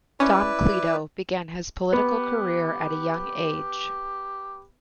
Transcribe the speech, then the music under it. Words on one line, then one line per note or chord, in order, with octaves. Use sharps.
"Don Cleto" began his political career at a young age.
C#4 E4 B4 D5
B3 G4